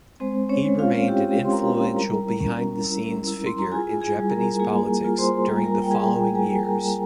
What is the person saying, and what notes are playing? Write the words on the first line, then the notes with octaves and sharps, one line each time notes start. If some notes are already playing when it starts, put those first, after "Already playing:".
He remained an influential behind-the-scenes figure in Japanese politics during the following years.
G#3 C4 C5
C#4 C#5
G#3
F4 F5
E4 G4 G5
C6
E4 A#4 A#5
G3 A#4 A#5
C#4
E4
E4
C6
A#5
F4 G#4 G#5
G#4 G#5
G3
A#4 A#5
A#3 G#4 G#5
F4
C5 C6
G3 A#5
G#5
A#4 A#5
G5
G3 G#4 G#5
G3 G#4 G#5
A#4 A#5
G3